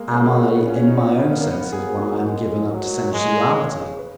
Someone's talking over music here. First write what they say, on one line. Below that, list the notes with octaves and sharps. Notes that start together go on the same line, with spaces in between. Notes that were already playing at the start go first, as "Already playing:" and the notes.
Am I in my own senses when I am given up to sensuality?
Already playing: G#3 A#3
C#3 A#3
C#3 B3
C#4
C#4
D#4
C#4
B3
A#3
C#4
A#3
B3
A#3
G#4
F#3
G#3
F#3 A#4
G#3
C#3
B4